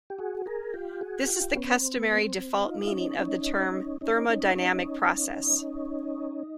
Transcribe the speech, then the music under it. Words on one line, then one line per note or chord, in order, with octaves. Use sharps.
This is the customary default meaning of the term 'thermodynamic process'.
G4
F#4 G#4
G#4 A#4
F4 G4
F#4 G#4
F4 G4
B3 C#4
C4
B3
C4
C4
D#4 F4
E4
C#4 D#4
C#4 D#4
C#4 D#4
C#4 D#4
C#4 D#4